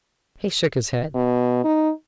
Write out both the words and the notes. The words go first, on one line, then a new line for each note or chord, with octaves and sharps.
He shook his head.
B2
D#4